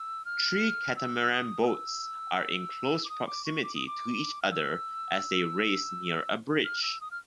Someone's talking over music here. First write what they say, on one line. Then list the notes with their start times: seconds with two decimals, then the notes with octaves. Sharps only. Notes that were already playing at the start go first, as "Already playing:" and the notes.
Three catamaran boats are in close proximity to each other as they race near a bridge.
Already playing: E6
0.25 F6
0.96 E6
1.32 D#6
1.63 D#6
1.67 E6
3.05 D6
3.09 D#6
3.27 D6
3.45 C#6
3.63 D6
3.75 D#6
3.87 D6
4.42 F6
4.51 E6
6.64 F6
6.83 E6
7.01 D#6
7.11 F6